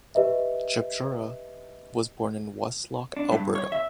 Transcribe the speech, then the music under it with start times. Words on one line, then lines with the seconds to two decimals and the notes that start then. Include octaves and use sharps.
Chipchura was born in Westlock, Alberta.
0.15 G4 B4 D#5 E5
3.17 D4
3.32 G2
3.55 C#5
3.72 E5